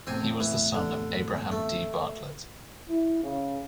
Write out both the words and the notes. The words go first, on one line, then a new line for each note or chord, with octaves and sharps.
He was the son of Abraham Dee Bartlett.
E2 A2 C3 C4 G#5
E3
D3
A3
E4
C#3